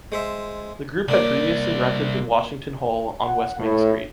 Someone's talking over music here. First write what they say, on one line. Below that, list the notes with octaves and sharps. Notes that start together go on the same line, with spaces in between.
The group had previously rented the Washington Hall on West Main Street.
G#3 C5 E5
C2 A#3 D4 D5
F#5
A2